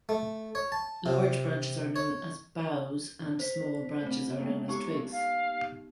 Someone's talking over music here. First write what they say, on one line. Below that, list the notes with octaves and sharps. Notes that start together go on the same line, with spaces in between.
Large branches are known as boughs and small branches are known as twigs.
A3
C#5
A5
C3
C#5
C5 B6
A3 C4
G#3 A#3 B3
B3 D#4 G4 C#6
F5